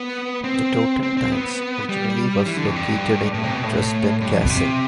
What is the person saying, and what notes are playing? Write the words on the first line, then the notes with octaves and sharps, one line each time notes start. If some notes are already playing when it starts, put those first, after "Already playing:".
The Totentanz originally was located in Dresden Castle.
Already playing: B3
C4
C4
C4
B3
G3
E3
D3
F2
G2
A2
C3
B2
A2
G2
F2
B2
C3